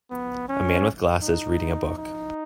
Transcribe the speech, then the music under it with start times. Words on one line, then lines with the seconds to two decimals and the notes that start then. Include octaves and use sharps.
A man with glasses reading a book.
0.11 B3
0.48 C#4
1.22 D#4
1.98 D#4